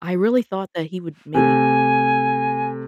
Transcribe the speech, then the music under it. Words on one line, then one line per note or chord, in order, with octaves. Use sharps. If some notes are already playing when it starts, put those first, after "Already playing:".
I really thought that he would maybe,
C3 A3 G#5